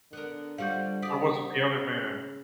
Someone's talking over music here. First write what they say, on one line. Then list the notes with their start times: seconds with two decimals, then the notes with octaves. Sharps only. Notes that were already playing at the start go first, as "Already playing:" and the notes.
Or was it the other man?
0.13 D3 B3 A#4
0.58 G3 F4 F#4 C5 F5 F#5 G6
1.02 G4 D5 D#6 B6
1.51 C#3